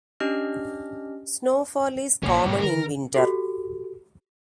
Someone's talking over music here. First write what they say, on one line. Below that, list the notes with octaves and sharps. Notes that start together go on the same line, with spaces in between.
Snowfall is common in winter.
C#4 D4 G4 D#5 F6
A#1 C#3 A#3 C#4
G#2 B2 G3
D3 D#3 A#4
F#4 G4 A4